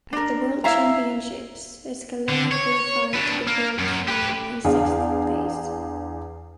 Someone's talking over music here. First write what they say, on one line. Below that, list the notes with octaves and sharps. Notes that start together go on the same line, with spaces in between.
At the World Championships Escalera qualified to the vault final in sixth place.
D4 A#4
E4 E5 F5 A#5
D3
C#5
B3 D4
A#3
F#2
G4 B4
E2 D4 G#4 F5